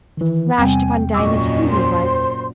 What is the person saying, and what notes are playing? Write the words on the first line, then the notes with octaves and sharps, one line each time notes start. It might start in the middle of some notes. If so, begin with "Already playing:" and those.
It flashed upon Diamond who he was.
D#3 E3
E2 C3 G3 C4 G5 G#5
F#2 A#2 D#5 C#6 D6 E6
C5 C6